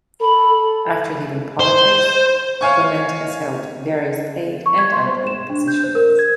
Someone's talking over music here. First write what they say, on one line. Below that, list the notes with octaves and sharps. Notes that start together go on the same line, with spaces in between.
After leaving politics, Clement has held various paid and unpaid positions.
A4 B5
C5
C#5 F5 G#5 C#6
C#6
G#6
C6
C5
E7
D4
G6
C5
A#4
G#6